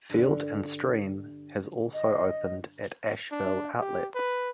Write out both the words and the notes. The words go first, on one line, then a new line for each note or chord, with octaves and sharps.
Field and Stream has also opened at Asheville Outlets.
G2 D3
D#5
D4
G4
B4